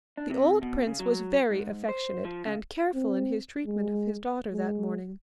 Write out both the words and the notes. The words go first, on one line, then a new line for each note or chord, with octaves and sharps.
The old prince was very affectionate and careful in his treatment of his daughter that morning.
D4
C3
B2
C#3
F#3
G#2
C5
F3
C#3
C4
G#3
G#3